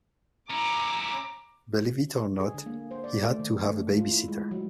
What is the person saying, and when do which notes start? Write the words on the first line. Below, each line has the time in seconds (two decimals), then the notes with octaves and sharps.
Believe it or not, he had to have a babysitter.
0.50 C#4 E4 A#5 D6
2.40 G#4
2.54 D3
2.66 A#3
2.91 C5
3.04 D5
3.23 A3
3.39 D#3
3.67 A3
3.97 F4
4.12 E4
4.28 G#3
4.51 F#3